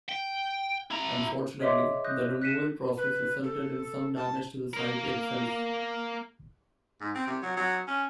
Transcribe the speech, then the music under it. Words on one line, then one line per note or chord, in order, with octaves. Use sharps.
Unfortunately, the removal process resulted in some damage to the site itself.
G5
E4 A#5
G#4 C#5 D#5 E5 C6 D6
D#6 F#6 G6 A#6
F#6 A#6 B6 C#7 D#7 E7
B4
A4
A5
A#3 A#4
G#2
C4
C3
F#3
F#3
C#4